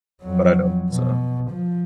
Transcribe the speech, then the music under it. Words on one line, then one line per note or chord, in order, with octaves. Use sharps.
but I don't think so.
F2 F#3
B2
F3